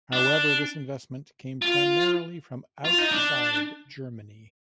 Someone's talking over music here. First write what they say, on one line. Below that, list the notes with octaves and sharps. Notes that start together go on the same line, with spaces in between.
However this investment came primarily from outside Germany.
D4
F4
F4
D#4
D4